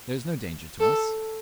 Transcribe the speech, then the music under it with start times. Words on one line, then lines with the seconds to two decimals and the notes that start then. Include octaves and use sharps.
There is no danger to us.
0.80 A4